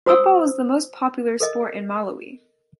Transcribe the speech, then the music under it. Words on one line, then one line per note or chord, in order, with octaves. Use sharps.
Football is the most popular sport in Malawi.
F#4 C5 A#5 D#6 E6
A4 A#4 D#5